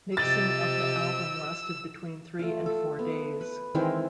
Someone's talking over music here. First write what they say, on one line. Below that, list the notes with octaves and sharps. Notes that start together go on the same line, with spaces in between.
Mixing of the album lasted between three and four days.
C3 F3 G4 D#5 E6 A6
A3 F4
A4
B3
B4
D#3 E3 G#3 C4